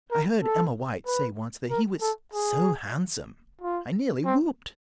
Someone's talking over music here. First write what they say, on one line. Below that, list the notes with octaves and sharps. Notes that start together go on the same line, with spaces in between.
I heard Emma White say once that he was "so handsome"; I nearly whooped.
A#4
A4
B4
A#4
A4
G#4
F4
C4